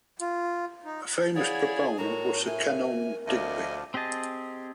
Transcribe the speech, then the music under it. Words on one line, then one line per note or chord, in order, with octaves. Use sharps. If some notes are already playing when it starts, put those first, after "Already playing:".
A famous proponent was Sir Kenelm Digby.
F4
D#4
E4 G#4 C#5 D5 F5 F#5
A2 F#4 A#4 C#5 A#5
A#4 E5 G#5
D2 F3 D4 D#5 E5 G#5
C4 G4 G#4 D#5 A5